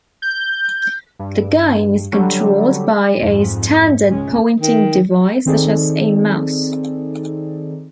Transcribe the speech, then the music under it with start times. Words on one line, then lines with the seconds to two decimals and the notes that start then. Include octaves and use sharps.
The game is controlled by a standard pointing device such as a mouse.
0.22 G6
1.19 G2
2.12 D3 F#3 G3
3.17 F2 G#2
4.10 C#2 G#3 C#4
4.60 D#3
5.46 D#3 C4 D#4 G#4 A4 D5